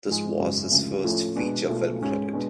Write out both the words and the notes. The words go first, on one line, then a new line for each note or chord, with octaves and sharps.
This was his first feature film credit.
G#2 F3 G#3
G#1 F#2 C#3 G#3
D2 C#3 F3 G#3
A2 F3 A3 C#4 F4
B2 G#3 D4 F#4
B1 B2 A3 F4
G#2 G#3 C#4 G#4
B2 G#3 D4 F#4